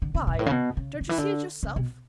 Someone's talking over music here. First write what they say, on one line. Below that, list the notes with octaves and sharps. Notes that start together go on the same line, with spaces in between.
Why, don't you see it yourself?
D3
C#3
B2
G#2
A2
C#3
B2
C#3
D3
E3
D3
C#3
B2